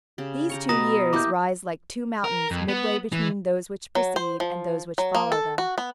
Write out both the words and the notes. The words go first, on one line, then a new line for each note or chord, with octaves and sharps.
These two years rise like two mountains midway between those which precede and those which follow them.
C#3 G4
G4 A#5 C#6
B2 B4 A#5 D#6 A#6
A#3 E4 G4 D6 G6
A#4
F2
B3
E3
F#3
C5
F3
F#3
A#3
A4
F#4
B3